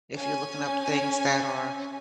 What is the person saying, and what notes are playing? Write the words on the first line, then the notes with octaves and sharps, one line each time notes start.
if you're looking up things that are
C#4 G#5